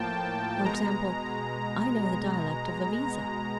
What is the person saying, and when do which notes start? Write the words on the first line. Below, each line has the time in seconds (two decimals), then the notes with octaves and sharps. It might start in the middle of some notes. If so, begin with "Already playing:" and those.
For example, I know the dialect of Iviza.'
Already playing: A2 F3 A#3 G5 A5
0.65 B2 G#3 A#5